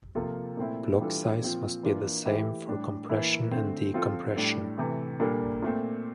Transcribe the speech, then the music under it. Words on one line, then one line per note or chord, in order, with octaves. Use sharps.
Block size must be the same for compression and decompression.
C3 F3 A#3 F4 A4
A#2 A3 C4 E4
E3 G3 D4 F4 A4
A#2 F3 C4 F4
E3 A#3 D4 F4
E3 A3 E4 G4
A2 G3 D4
E3 A#3 E4
D3 A3 C4
F3 C4 F4 A4
A2 G3 D4 A4
C3 E3 A3
A#2 G3 A#3 D4 A4
A#2 A3 C4